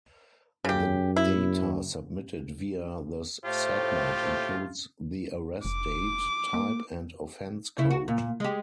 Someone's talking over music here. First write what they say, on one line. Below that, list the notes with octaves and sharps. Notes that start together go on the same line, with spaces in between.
The data submitted via this segment includes the arrest date, type and offense code.
F#2 C#3 G4
E4
A2 A3 F4 G4 C5
F1 D6
A#3
C#3 E4
F#4
A#2
G#3 G4